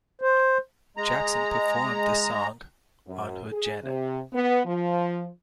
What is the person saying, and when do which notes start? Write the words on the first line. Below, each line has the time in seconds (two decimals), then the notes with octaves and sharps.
Jackson performed the song on her janet.
0.22 C5
0.97 G#3 A#5
3.07 F#2
3.51 G#4
3.84 C3
4.33 B3
4.66 F3